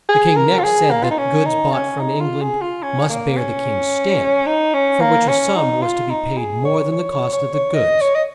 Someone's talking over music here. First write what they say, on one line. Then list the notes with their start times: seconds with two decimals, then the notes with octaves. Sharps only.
The king next said that goods bought from Eng-land must bear the king's stamp, for which a sum was to be paid more than the cost of the goods.
0.09 G#4
0.36 A#4
0.59 F4
0.64 G#4
0.91 A#3
1.04 F4
1.11 D#4
1.18 C#4
1.46 D#4
1.73 C#4
2.00 D#4
2.21 F4
2.41 G#4
2.61 F4
2.83 C#4
3.09 A#3
3.37 C#4
4.47 D#4
4.74 C#4
5.01 A#3
5.28 C#4
5.55 D#4
5.83 F4
6.10 D#4
6.38 G#4
6.65 C#5
6.92 C#5
7.13 C#5
7.33 C#5
7.54 C#5
7.75 D#5
8.01 C#5
8.15 D#5